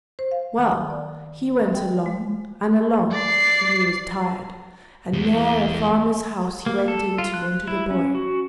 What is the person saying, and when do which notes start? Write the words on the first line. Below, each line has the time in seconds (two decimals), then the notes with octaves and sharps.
Well, he went along and along till he was tired, and ne'er a farmer's house he went into wanted a boy.
0.19 C5
0.31 F5
0.58 D#3
0.90 D5
1.74 G5
2.06 G#3
3.11 D5 C7
5.13 E2
6.66 A#3
6.88 A4
7.18 F4
7.34 F#6
7.68 E4
7.91 C#4
8.15 F#4